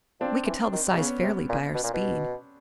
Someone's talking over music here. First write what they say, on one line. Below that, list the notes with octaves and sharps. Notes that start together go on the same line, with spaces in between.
We could tell the size fairly by our speed.
F3 C4 D4
E3
D#3
C3
C#3 B3 C#4
C3
A#2
B2
A#2
B2